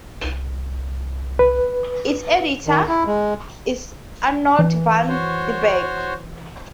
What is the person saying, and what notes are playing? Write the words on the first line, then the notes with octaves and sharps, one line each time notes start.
Its editor is Arnoud van den Berg.
C2
B4
D#3
E4
G#3
E3
F#4 C5 C#5